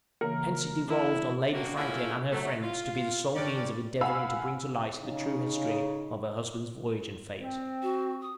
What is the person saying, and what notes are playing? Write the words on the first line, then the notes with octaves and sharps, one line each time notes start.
Hence it devolved on Lady Franklin and her friends to be the sole means of endeavoring to bring to light the true history of her husband's voyage and fate.
C#3 E3 A#3 A#4
E4
G2 A#3 F#4
A3 A#3 C#4 E4 F4 G#4
F#3 A3
F4
G2 C#4 D5
F5 F#5 G#5 B5 E6
C#3 D#4
C4
F#4
D#6